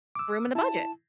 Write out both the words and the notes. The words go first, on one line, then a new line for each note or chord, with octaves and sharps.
room in the budget.
D6 E6
E4 A5